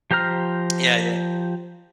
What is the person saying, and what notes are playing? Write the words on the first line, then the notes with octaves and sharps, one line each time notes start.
Yeah, yeah.
F3 G4 C5 A#5 F6